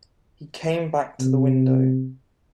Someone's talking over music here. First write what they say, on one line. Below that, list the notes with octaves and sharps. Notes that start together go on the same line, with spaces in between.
He came back to the window.
C3